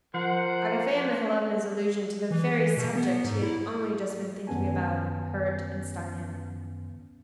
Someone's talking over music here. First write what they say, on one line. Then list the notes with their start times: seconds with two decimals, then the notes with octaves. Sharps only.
Agafea Mihalovna's allusion to the very subject he had only just been thinking about, hurt and stung him.
0.14 F3 A#4 C5 F#5
2.31 E3
2.77 B2
2.96 B3
3.24 G#2
3.42 E4
4.47 F#2 D#3 B3 C#4 G#5 A5